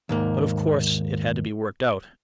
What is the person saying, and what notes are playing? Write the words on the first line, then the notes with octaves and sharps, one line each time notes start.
But of course it had to be worked out.
D#2 G#2 A#3